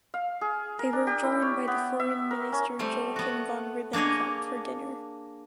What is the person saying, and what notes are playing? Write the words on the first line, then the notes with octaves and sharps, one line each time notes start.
They were joined by the Foreign Minister Joachim von Ribbentrop for dinner.
F5
G#4
A#4
D4
G4
E4
C#5
B3
E5
A#4
C#4
G3 A3 C4 C5
B3 F#4
A#3 D4 G#4 C#5 D#5